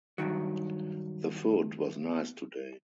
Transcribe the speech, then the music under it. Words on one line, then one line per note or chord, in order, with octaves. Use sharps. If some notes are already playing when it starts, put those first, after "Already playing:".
The food was nice today.
G2 C3 D#3 F#3